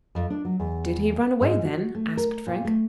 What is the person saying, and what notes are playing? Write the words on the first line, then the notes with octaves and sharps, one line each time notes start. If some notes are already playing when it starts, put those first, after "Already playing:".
"Did he run away then?" asked Frank.
F2
D4
F#3
E2
G#2
F#4
A3
A#4
A#2
A3